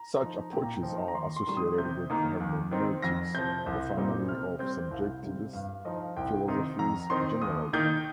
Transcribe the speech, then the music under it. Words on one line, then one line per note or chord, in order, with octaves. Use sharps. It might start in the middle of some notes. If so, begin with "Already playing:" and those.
Such approaches are associated with Hermeneutics and the family of subjectivist philosophies generally.
Already playing: A#5
F3 D#4
A#2 G5
A#5
G5
F3 D#4
A#5
D#2 C6
C6
D#3 G3 C6
D#6
C3 G6
D#3 A#3 D#4
D#2
D#3 C4 D#4
F2 A#6
C3 F3 G6
C2
A#2 G3 C4 D#4
C3 F6
G3 C4 G6
C2 F5
C3 G3
G2 F5
F5
F3 D#4 D#5
F5
C2 G5
C3 D#3 C4 D#4
F2 A#5
D#3 C4 D#4 C6
D#2 D#6
D#3 A#3 D#4 G6